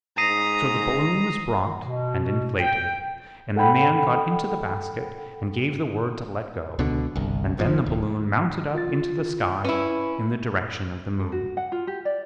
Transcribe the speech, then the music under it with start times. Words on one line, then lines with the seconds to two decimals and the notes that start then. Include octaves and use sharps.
So the balloon was brought and inflated, and the Man got into the basket and gave the word to let go, and then the balloon mounted up into the sky in the direction of the moon.
0.18 G#2 A#5 D#6 B6 C7 D#7
1.81 B2
2.59 G5
3.56 A4 F#5 G5 B5
6.79 C#2 B2 D3
7.16 G1 C2
7.57 F#1 B2 F3
7.86 D1
8.75 F4 A6
9.64 C#4 E4 B4
11.20 A4
11.32 F#4
11.57 F#5
11.72 F4
11.87 G4
12.05 D5